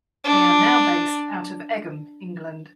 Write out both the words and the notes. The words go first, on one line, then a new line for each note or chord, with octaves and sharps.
They are now based out of Egham, England.
D4